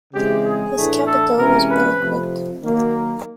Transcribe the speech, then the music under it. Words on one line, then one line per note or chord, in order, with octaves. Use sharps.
His capital was Belgrade.
C#3 E3 G#3 C4 G4
G#4
A2 E3 A3 D4
A4
C3 E3 G#3 C#4 A#4
B4
C3 F3 A3
D#3 F#3 A#3
A#4